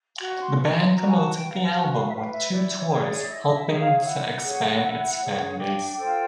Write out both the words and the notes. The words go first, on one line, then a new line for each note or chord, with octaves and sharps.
The band promoted the album with two tours helping to expand its fan base.
F#4 C#6
C6
B4 C#6
C6
F#4 A#5
G#5
A5
B4 G5
F5
F#5
F#4 F#5
F5
E5
B4 F5
E5
E4 D5
C#5
G#4 C#5
D5
E5
E4 D#5
E5
G#4 C#5
F5
F5
E4 F#5
G#4 C#5
E4
G#4 C#5
F#5
D4 G5
F4 A4 C5 G5